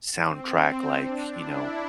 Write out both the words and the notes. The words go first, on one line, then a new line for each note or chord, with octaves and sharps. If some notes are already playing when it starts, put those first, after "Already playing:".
soundtrack, like, you know
C4
D4
E4